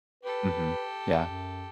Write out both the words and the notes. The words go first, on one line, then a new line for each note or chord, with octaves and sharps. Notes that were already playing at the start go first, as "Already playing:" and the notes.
Mhm. Yeah.
G4 A4 B4
F#2